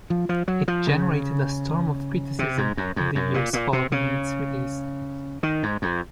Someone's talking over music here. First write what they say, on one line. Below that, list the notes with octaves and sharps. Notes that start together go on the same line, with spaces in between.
It "generated a storm of criticism in the years following its release".
F3
F3
F#3
F3
C#3
C3
G#2
F#2
F2
F#2
A#2
A#2
C3
C#3
D#3
G#2
F2